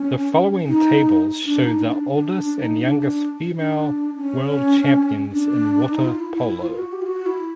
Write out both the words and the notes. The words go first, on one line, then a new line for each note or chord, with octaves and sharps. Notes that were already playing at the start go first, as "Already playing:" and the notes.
The following tables show the oldest and youngest female world champions in water polo.
Already playing: C#4
D#4
D4
D#4
D4
D4
D4
D#4
D4
D4
D4
C#4
D4
D#4
F4
E4
E4
E4
F4
F#4
G4
F4
F#4
E4